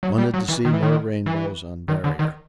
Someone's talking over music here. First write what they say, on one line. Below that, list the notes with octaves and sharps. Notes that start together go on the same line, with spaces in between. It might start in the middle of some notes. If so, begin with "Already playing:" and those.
Wanted to see more rainbows on Barrier.
F#3
G3
F#3
E3
D#3
E3
D#3
E3
D#3
D3
D#3